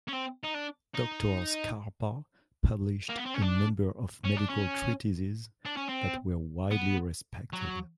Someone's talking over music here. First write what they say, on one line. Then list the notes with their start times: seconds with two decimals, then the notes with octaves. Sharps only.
Doctor Scarpa published a number of medical treatises that were widely respected.
0.08 C#4
0.13 C4
0.44 D#4
0.55 D4
0.95 D#4
3.09 A#3
3.17 B3
3.26 C4
3.34 C#4
3.42 D4
4.24 C#4
4.37 D4
4.50 C#4
5.65 D4
5.77 C#4
5.89 C4
6.71 B3
7.53 F#3